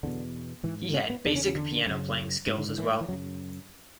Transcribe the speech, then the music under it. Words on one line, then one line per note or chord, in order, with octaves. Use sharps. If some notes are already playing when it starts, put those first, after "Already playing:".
He had basic piano playing skills as well.
E2 B2 D3
G#2 E3
C#4
B3
E2 C#3 D4
C#4
C#4
D3
F#2 C#3
G#2
D3
D3
E3
E3
F#2 C#3 F#3